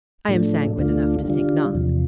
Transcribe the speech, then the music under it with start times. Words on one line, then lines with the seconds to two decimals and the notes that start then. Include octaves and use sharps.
I am sanguine enough to think not.
0.28 A2 F3 A3 D4
0.77 D2 D3 A3 D4 F4
1.26 D3 G3 D4 F4
1.75 E2 C3 F3